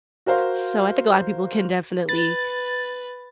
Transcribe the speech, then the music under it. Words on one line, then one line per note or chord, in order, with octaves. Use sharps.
So I think a lotta people can definitely
F#4 A#4 C5 F5
B4 A6